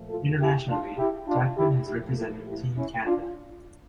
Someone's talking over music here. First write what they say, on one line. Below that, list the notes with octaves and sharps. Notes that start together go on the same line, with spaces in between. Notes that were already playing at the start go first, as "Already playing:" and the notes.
Internationally, Jackman has represented Team Canada.
Already playing: A#2 F3 A3
F4 A4
E4 G4
D4 F4
E4 G4
D4 F4
E4 G4
A#2 F3 A3 E4 G4
F4 A4
E4 G4
C#4 E4
D4 F4